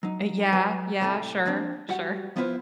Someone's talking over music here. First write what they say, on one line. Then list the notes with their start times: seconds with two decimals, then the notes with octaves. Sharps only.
Eh, yeah, yeah. Sure, sure.
0.03 F#3 D#4
0.53 F#3 B4 G#5
1.01 A2 C3 A3 C5 A5
1.45 F3 A#3 C4 D4
1.89 G3 F#4 F#5
2.36 F3 B3 E4 F4 B4 C5